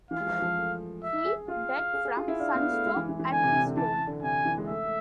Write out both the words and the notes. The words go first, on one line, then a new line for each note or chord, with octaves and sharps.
He died from sunstroke at his home.
E3 F5
G#3
F3
F3
A3
E5
G#4
F4 F5
G#4
G#4
F4
E4
D4 F5
B3
A3
G#3
E3
E3
E3
D3 G#5
C3
C3
D3
E3 A5
D3
C3 G#5
E3
G#3
A3 E5
A3